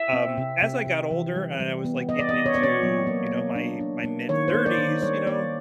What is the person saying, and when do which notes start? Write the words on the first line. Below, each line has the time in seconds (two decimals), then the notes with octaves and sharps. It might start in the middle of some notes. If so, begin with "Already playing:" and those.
um, as I got older and I was, like, getting into, you know, my my mid-thirties, you know,
Already playing: E5
0.13 C4
0.37 C3
0.62 C3
0.86 C3
1.11 E3
1.35 G3
1.60 G3
1.84 B3
2.09 B3 D#5
2.19 D5
2.29 D#5
2.33 B3
2.46 C#5
2.55 B3 D5
2.63 C#5
2.82 F#3
3.07 A#3
3.31 A#3
3.56 D4
3.80 D4
4.04 A#3
4.29 D#3 C#5
4.48 C5
4.54 A#3
4.66 D5
4.78 D#3
5.02 G3 C#5
5.27 A#3 D5